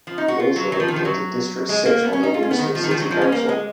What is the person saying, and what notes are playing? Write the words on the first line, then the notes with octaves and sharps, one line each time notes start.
He also represented District Six on the Lewiston City Council.
F3
D#4
F#4
F4
F#3
F#3
F3
D#3
F3
F#3
G#3
A#3
B3
C#4
D#4
F4
C#4
B3
D#3
F3
D#3
F3
F#3
F3
C#4
A#3
G#3